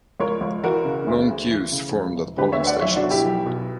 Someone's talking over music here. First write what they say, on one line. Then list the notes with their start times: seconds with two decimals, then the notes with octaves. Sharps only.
Long queues formed at polling stations.
0.20 C#2 A#4 C#5
0.41 C#2
0.63 E3 F#4 A#4
0.85 C#3
1.07 D2
1.29 D2
1.50 E3
1.72 C#3
1.94 E1
2.16 E1
2.37 D3 G4 B4
2.52 C#5 E5
2.60 D2
2.67 D5 F#5
2.81 B1 C#5 E5
2.96 D4 F#4
3.03 B2
3.10 E4 G4
3.24 B1
3.46 B2